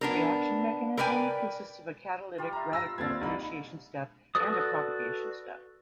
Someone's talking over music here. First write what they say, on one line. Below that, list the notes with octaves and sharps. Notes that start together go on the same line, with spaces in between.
The reaction mechanism consists of a catalytic radical initiation step and a propagation step.
B3 D4 A#4
A#4 B4 D5 G5 G#5
G3 F4
E5 A#5
E6 A#6
D#2 C4 D4 B4 F5 G#6 A6
C2 D#4 B5
F#4 A4 B4 D5 D#6